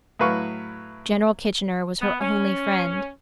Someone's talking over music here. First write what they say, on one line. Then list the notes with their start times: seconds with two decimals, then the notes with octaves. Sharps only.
General Kitchener was her only friend.
0.19 A2 F#3 B4 F5 C#6
2.01 B3
2.20 C#4